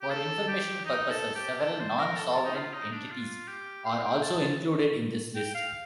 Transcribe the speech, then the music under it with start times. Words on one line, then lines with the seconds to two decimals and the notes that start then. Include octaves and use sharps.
For informational purposes, several non-sovereign entities are also included in this list.
0.02 G4
0.10 A4
0.48 G4
0.85 D#4
1.11 A4
1.36 G4
1.61 A4
1.80 C5
1.99 A#4
2.17 A4
2.44 D#4
2.55 F4
2.73 D#4
2.92 D4
3.11 F4
3.48 G4
3.85 F5
4.04 G5
4.23 A5
5.36 G5
5.55 F5